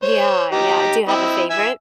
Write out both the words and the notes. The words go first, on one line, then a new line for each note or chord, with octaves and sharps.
Yeah, yeah, do you have a favorite?
C5 C#5
D#4 G4 A#5
C4 E4 D#5
E5 G#5 E6